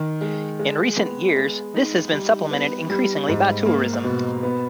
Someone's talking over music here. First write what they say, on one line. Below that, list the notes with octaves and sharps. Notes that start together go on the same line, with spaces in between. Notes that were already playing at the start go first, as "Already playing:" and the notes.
In recent years this has been supplemented increasingly by tourism.
Already playing: D#3
G#3
G#3
B3
G#3
D#4
G3
B3
G3
G#2
A#3
B2
B3